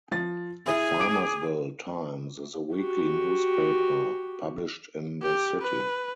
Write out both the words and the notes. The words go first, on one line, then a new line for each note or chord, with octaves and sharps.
The "Farmersville Times" is a weekly newspaper published in the city.
F3 A6
E4 G#4
D6 D7
F#4 G4
G4
B4